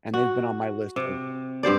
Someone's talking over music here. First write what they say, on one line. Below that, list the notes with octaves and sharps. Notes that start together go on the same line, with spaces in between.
and they've been on my list for
F#4
C3
G2 G4 C5 D5